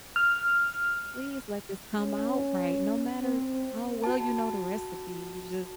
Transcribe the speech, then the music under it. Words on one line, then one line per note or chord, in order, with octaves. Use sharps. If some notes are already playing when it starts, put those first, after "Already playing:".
"Please let this come out right," no matter how well you know the recipe you're just
F6
C#4
C4
F#4 A5